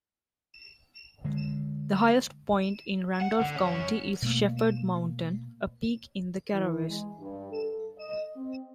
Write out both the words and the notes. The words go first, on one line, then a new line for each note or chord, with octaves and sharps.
The highest point in Randolph County is Shepherd Mountain, a peak in the Caraways.
D3 G#3
F#5
D3
F#2 C#4
B2 A3 A#3
E3
G#3
G2
A4
D#5
C4